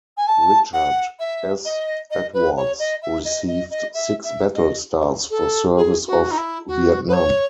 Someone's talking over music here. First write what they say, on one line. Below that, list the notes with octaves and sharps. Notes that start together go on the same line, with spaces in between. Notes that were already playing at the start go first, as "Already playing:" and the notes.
Richard S. Edwards received six battle stars for service off Vietnam.
G#5
A5
F#5
E5
D#5
D#5
B4
C#5
D#5
E5
D#5
D#5
D#5
E5
E5
D#5
A4
G#4
F#4
D#4
E4
F#4
B4
C#5